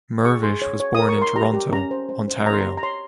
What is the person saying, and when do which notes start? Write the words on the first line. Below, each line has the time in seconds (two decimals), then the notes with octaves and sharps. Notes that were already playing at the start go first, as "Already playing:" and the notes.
Mirvish was born in Toronto, Ontario.
0.25 G#4 C#6
0.43 G#4 C6
0.62 C#5
0.80 C#5
0.95 A#4 D#6
1.09 C#6
1.17 A#4 C6
1.35 G4 A#5
1.54 G4
1.72 C#4 A#5
1.91 C5
2.09 C5
2.28 C5
2.46 C#5 A#5
2.53 C6
2.61 G4 A#5
2.77 A#5
2.83 C#5 C6